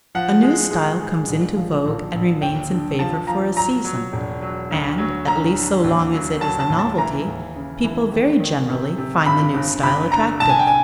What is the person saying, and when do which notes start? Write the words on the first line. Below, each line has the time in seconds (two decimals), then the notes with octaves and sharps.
A new style comes into vogue and remains in favor for a season, and, at least so long as it is a novelty, people very generally find the new style attractive.
0.15 F3 F#5
0.43 G#3
0.71 G#3
1.00 G#3
1.28 A#1
1.56 F3
1.86 A#1
2.14 A#1
2.42 D#2 G5
2.71 D3
2.99 F3 A5
3.27 F3 A#5
3.56 F#3 A#5
3.84 F#3
4.13 E1
4.42 F#3
4.71 D2
4.98 F#3
5.27 D2 A#5
5.56 D3
5.84 D#2
6.13 F#3
6.41 F#3 A5
6.60 A5
6.70 D#2
6.79 A5
6.98 E3 A#5
7.26 D#2
7.56 C#3
7.84 E3
8.12 D#3
8.40 D#3
8.69 C3
8.98 C3
9.26 G2 B5
9.54 G1
9.83 G1 B5
10.12 D3 A#5
10.40 C2 A5
10.49 G#5
10.59 G5
10.67 G#5